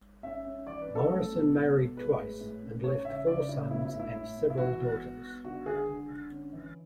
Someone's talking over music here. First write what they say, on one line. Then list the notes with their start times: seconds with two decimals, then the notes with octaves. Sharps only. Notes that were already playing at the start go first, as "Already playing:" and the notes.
Morison married twice, and left four sons and several daughters.
0.23 C#4 E5
0.45 C#4
0.66 E3 D5
0.81 B4
0.88 C#4
0.95 A4
1.10 A3
1.32 B2
1.54 B2
1.75 B2
1.97 G#3 B4
2.19 A2
2.41 A2
2.63 C#4
2.83 C#4 C#5
3.05 C#3 E5
3.27 C#3 D5
3.49 C#3 E4
3.71 B3 E4
3.85 E4
3.93 A2
4.00 E4
4.14 A2
4.36 B3
4.50 E4
4.58 E3 F#4
4.80 B3
5.01 B3
5.23 B3
5.44 D3 F#4
5.66 D3 G#4
5.89 D3
6.09 D3
6.31 C#4
6.53 E3